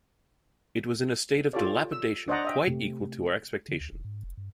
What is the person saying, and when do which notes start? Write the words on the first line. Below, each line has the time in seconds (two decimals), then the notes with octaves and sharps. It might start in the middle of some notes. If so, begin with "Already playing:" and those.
It was in a state of dilapidation quite equal to our expectation.
1.53 F4 G4 A4 C#5 D5
1.92 E6
2.28 D4 C5 D5 D#5 F#5 A#5
2.45 D#5 E5 G5
2.67 C3 A3 G4
3.69 D3
3.81 D2
3.92 E1
4.05 G#2
4.23 F1
4.37 G2